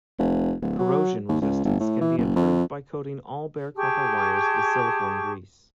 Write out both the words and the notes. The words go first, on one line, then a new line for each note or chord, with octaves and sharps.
Corrosion resistance can be improved by coating all bare copper wires with silicone grease.
F1
D1
F#3
D#2
C#2
G1
A2
E3
F#1
F2
G4 G#4 A5 C#6